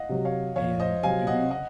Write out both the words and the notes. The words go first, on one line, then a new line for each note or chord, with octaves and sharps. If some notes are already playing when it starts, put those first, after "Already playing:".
and do
Already playing: D#5 F5 F#5
C3 F#3
C#5 F5
F2 C#5 F5
C5 D#5
C3 F#3 F5 G#5
D#5 F#5
D#5 F#5